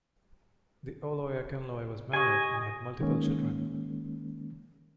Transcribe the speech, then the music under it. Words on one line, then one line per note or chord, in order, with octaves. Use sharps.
The Oloye Akinloye was married and had multiple children.
G4 D#5 G#5 C#6
D#3 G#3 A#3 C#4